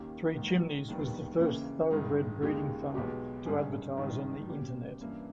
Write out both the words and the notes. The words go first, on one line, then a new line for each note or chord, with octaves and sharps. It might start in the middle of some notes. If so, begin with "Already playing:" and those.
Three Chimneys was the first thoroughbred breeding farm to advertise on the Internet.
Already playing: D#2 D#3 A#3 C#4 G4
G#2 D#3 A#3
E1 D#2 D#3 G3 B3
D#2 C#3 E3 A#3 C#4
G1 G2 D#3 G#3 D#4
D#2 C#3 G#3 D#4 G4
B1 B2 G#3 B3 G4
G#1 G2 G3 C#4 G#4
G#1 G2 D#3
B2 A#3 C#4 G4
G2 E3 A#3 C#4